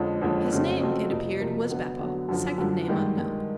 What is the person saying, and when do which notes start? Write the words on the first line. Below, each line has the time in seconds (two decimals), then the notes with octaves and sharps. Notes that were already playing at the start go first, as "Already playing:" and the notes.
His name, it appeared, was Beppo, second name unknown.
Already playing: F2 D3 F3 G#3 C#4
0.22 F2 D3 F3 G#3 C#4
0.52 F2 C#3 F#3 A3 C4
0.81 F2 C#3 F#3 A3 C4
1.10 F2 C3 F3 A#3
1.40 F2 C3 F3 A#3
1.70 D3 F#3 B3
1.99 D3 F#3 B3
2.29 F#2 D3 F3
2.58 F#2 D3 F3
2.88 G2 D#3 G#3
3.18 G2 D#3 G#3